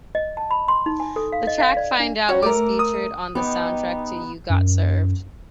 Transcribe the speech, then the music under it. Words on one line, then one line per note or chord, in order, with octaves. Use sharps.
The track "Find Out" was featured on the soundtrack to "You Got Served".
D#5
A5
B5
C6
D#4
G#5
A4
F5
D#5
F5
D5
D4
G3 C#4 F#4 C#5
A3 A#4 D6
D#6
B3 D#4 G4
F#2